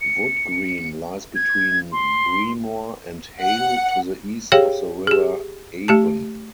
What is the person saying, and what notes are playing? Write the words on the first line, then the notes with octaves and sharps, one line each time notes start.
Woodgreen lies between Breamore and Hale to the east of the River Avon.
C#7
G#6
C6
F#5
G4 G#4 C#5 F5 G5
G4 G#4
A3 G4 A5